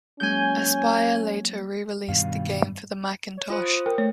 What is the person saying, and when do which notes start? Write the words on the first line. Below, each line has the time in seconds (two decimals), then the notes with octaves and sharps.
Aspyr later re-released the game for the Macintosh.
0.20 F#3 G#3 A#3 C#4 G#5 G6
2.09 G2 B2 D#3 F5
3.37 C#5
3.50 F4 C5 D#6
3.86 A#4 G5
3.98 A3 C#5